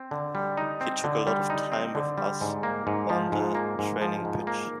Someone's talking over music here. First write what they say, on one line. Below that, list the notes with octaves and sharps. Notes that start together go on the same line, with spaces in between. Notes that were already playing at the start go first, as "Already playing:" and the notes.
He took a lot of time with us on the training pitch.
Already playing: C4
D3
G3
D#4
C4
D3
G3
D#4
C4
D3
G3
G#2
A#3
G#2
F3
G#2
A#3
G#2
F3
G#2
A#3